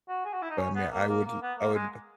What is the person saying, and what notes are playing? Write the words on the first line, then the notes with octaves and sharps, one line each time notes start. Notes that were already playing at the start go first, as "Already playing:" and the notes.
But, I mean, I would l I would
F#4
G#4
F#4
E4
D#4
C#4
B3
A#3
A#3
A#3
B3
A#3
G#3